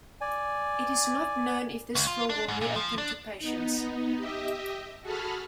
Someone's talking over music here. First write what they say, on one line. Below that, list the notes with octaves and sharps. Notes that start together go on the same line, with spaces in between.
It is not known if this floor will reopen to patients.
D5 G#5
C#2
F4
D4
G#2
A#2
F3
D4
B3 D#4
G4 D#5 E5
F#4 G#4 A4 A5 B5 F6